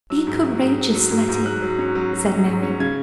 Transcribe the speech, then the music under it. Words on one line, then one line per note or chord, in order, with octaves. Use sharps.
"Be courageous, Letty," said Mary.
F#3 E6
G#2
F#3
G#2
F#3
F#3
G#2
G#2
F#3 F#6
F#3
C#4
F#3
F#3
F#3
G#2
C#4
C#3 G#6